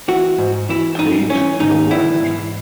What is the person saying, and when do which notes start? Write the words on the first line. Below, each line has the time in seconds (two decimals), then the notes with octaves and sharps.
It paid the rent.
0.08 E3 F#4
0.38 G#2
0.69 E3 E4
0.99 G#2 D#4
1.30 E3 C#4
1.60 G#2 D#4
1.90 E3 E4
2.20 G#2